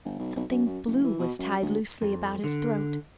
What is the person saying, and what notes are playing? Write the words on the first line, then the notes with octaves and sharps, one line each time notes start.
Something blue was tied loosely about his throat.
G1
B1
B1
F#2
F#2
F#1
E3
B2
F#2
D2
F2
D3